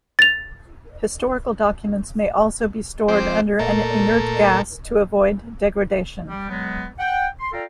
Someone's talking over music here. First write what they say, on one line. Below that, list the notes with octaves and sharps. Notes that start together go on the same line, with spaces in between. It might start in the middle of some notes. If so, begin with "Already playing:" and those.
Historical documents may also be stored under an inert gas to avoid degradation.
A6 F7
F3 G#3 C4 C5 G5 D6
A#2 A3 A4 A#4
G3
F#3 G#3 B3
F#5 G5
C6
F4 A4 D5 F5 G5 A#5